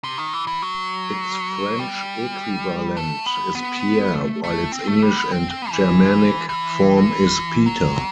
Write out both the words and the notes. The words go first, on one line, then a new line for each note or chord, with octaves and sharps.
Its French equivalent is Pierre while its English and Germanic form is Peter.
C3
D#3
E3
E3
F#3
G3
A3
B3
B3
A3
A3
C4
A3
G3
B3
C4
C4
E3
E3
F#3